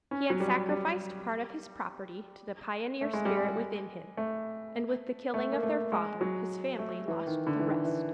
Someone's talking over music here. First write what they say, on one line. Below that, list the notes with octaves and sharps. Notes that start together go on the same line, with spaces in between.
He had sacrificed part of his property to the pioneer spirit within him, and, with the killing of their father, his family lost the rest.
C#4
F#3
G3
G3
A3
G#3
G3
G#3
A3
A3
A#3
A3
G#3
F#3
A3
E3
D#3
D3
E3
D#3
E3